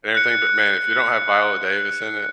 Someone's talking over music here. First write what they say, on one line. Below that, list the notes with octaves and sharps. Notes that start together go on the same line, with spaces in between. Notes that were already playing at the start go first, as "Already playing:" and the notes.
and everything but, man, if you don't have Viola Davis in it,
F#6 C#7